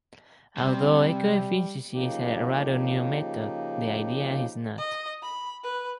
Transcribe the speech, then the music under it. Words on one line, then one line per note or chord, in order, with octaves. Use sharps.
Although eco-efficiency is a rather new method, the idea is not.
C3 G3
C#3 F3 A#3 D#4 G4
D#5
B5
B4